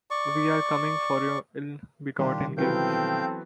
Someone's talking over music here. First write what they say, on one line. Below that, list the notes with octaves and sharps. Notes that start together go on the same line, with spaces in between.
We are coming for your ill-begotten gains.
D5 C#6
B2 D#3 G3 D4 F4 G4
E3 F#3 B3 C4 A4 F5 G5 G6